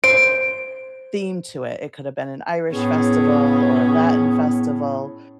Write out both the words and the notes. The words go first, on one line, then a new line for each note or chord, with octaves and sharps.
theme to it. It could've been an Irish festival or a Latin festival,
C5 D7
A2 B3 C#4 G#4